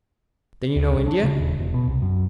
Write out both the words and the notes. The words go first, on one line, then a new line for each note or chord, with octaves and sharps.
"Then you know India?"
D2
C2
D4
C#3
D#1
E1
B2
C2
F#2